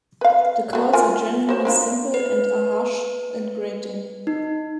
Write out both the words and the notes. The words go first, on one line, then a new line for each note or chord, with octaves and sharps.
The calls are generally simple and are harsh and grating.
B4 F5
A3 F#4
F4 A#4 G#5
F#4 C5 C#5
A#3 D4 F4
B4
D#4